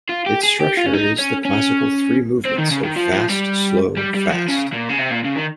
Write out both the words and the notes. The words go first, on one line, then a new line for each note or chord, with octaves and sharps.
Its structure is the classical three movements of fast-slow-fast.
F4
G4
G#4
G4
F4
C#4
D#4
C#4
C#4
C4
D#3
C#3
D#3
F3
F3
G3
G3
G3
F3
C#3
A#2
C#3
C3
A#2
C#3
D#3